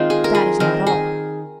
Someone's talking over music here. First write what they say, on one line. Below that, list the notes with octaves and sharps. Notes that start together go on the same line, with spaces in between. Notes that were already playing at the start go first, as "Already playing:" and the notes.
But that is not all.
Already playing: D#3 G#3 C4 D#4 F4
G#4
A#4
G#4
D#3 C4 A#4
G#4